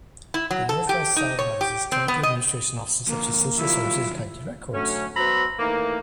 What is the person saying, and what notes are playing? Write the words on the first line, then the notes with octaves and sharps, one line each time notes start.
The Northwest side houses county administrative offices such as social services and county records.
E4
F#3
A4
G4
D#4
C#5
G4
C4
B3
D#5
D3 F3 A#3
D#3 F#3 G3 E4 F4
D3 F#3 A3 C#4
F#3 B3 C5 E5 A#5 B5
D#3 E3 A3 A#3